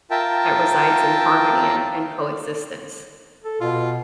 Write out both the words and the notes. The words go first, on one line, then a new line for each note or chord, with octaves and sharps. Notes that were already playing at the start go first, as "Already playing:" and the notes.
that resides in harmony and and coexistence.
F4 A#4 E5 G5 A5
A4
B2 F4